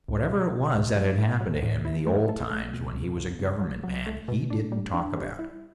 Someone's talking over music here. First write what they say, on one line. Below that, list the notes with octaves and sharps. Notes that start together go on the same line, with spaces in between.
Whatever it was that had happened to him in the old times when he was a Government man he didn't talk about.
C#2
B2
B2
C#2
F#3
A2
F#3
A2
E4
A3
A4
A3
B2
C#2
C#2
C#2
F#3
F#3
A3
B2
D4
G3
D4
G3
E4